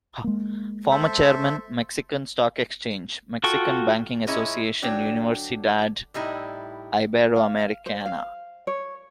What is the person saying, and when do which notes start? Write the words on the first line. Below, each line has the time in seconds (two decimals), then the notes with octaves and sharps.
Former Chairman: Mexican Stock Exchange, Mexican Banking Association, Universidad Iberoamericana.
0.24 G#3 A#3
0.91 A4 C5 E5
3.44 F4 F#4 A4 G5 C#6
4.27 A#2 G#3 C#4 E4
4.82 D3 F#3 D4 G5
6.14 A2 G3 D#4 E4
7.36 F5
7.86 C5
8.06 F5
8.67 C#5